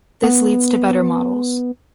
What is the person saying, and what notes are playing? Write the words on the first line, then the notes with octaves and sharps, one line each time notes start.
This leads to better models.
B3